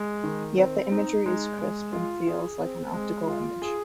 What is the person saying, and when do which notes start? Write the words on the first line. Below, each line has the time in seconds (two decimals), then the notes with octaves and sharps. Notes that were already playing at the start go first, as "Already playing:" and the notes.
Yet the imagery is crisp and "feels" like an optical image.
Already playing: G#3
0.24 D#3
0.57 C4
0.91 D#4
1.26 G#3
1.59 G#3
1.93 F4
2.27 G#4
2.60 C4
2.94 G#3
3.27 F4
3.62 G#4